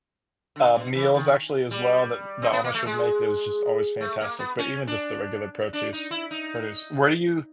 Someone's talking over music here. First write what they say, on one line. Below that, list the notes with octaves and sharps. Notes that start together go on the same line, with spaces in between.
uh, meals actually as well that the Amish would make. It was just always fantastic, but even just the regular protuce produce. Where do you
D3
B2
E3
D#3
G3
C4
B3
A#3
A3
G#3
A3
A#3
B3
C#4
D4
D4
D#4
E4
D#4